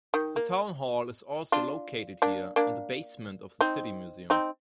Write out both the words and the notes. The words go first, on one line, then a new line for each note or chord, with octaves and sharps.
The town hall is also located here, in the basement of the city museum.
D#3
A#3
D4 F4
A#3 D4
A#3 D4
C4 D#4
C4 D#4